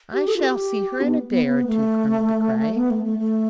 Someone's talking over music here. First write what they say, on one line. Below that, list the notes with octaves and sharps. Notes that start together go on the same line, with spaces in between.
"I shall see her in a day or two, Colonel De Craye."
G4
A4
F4
G4
B3
B3
B3
A3
B3
A3
A3
A3